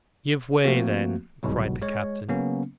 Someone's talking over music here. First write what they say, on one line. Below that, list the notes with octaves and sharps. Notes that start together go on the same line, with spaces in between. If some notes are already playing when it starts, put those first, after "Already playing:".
"Give way, then," cried the captain.
F3 A3 A#3 C4 F#4
G1 C2 G#2 B2 F#3
G#3 C#5
C#3 F#3 A#3 B3 C#4